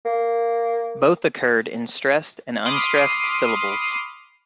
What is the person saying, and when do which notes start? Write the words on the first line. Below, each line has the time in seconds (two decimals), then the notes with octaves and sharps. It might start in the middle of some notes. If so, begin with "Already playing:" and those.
Both occurred in stressed and unstressed syllables.
0.05 A#3
2.65 B5 C6 D6 D#6 F6 C7